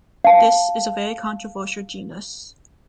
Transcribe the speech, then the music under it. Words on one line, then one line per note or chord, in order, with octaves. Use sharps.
This is a very controversial genus.
F5 A5